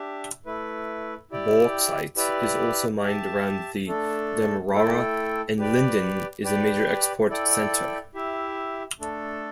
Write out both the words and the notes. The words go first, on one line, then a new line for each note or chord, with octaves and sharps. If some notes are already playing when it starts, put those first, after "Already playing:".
Bauxite is also mined around the Demerara, and Linden is a major export centre.
Already playing: D4 G4 E5
A3 E4 B4
E4 G4 D5 G5
E4 G4 B4 D5
G4 E5 A5
A3 D4 A4
A3 E4 A4 G5
G4 B4 D5 G5
G4 B4 D5 G5
E4 A4 D5 G5
E4 G4 E5
A3 D4 A4